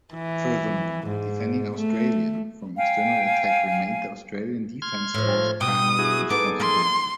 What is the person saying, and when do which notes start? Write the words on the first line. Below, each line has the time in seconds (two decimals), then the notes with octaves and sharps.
Furthermore, defending Australia from external attack remained the Australian Defence Force primary responsibility.
0.14 E3
1.07 G#2
1.77 A3
2.77 F5 G5 G#5
4.82 C6 F6 G#6
5.14 A2 F3
5.61 B2 G5 D#6
5.99 E4 F#4 G#4
6.30 B3 D#4 G#4 A4 D6
6.60 A#3 C6